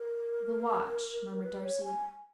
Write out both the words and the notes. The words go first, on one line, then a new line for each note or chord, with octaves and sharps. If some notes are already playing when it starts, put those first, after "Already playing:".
"The watch," murmured Darcy.
Already playing: A#4
B4
C#5
G#5